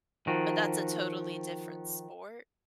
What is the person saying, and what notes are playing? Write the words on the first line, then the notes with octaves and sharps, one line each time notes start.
but that's a totally different sport,
D#3 F3 F#4